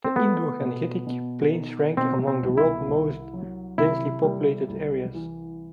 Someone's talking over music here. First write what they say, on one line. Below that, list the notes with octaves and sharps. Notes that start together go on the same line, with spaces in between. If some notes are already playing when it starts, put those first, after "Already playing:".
The Indo-Gangetic plains rank among the world's most densely populated areas.
C4
A3 B3
B2
B2
D#4
B2 C4
C4
C2
E4
C2
F#3
C3 E4
G3
C2
E3